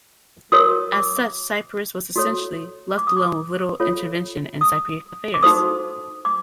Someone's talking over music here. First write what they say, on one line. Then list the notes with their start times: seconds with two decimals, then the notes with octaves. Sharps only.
As such Cyprus was essentially "left alone with little intervention in Cypriot affairs".
0.52 F#4 A#4 C#5 D#6
0.93 D6
2.16 F#4 A4 C#5
2.98 D6
3.07 D#6
3.16 D6
3.80 F4 A4 C#5
4.61 D#6
5.34 D6
5.43 D#4 F#4 A4 C5 D#6
6.25 D6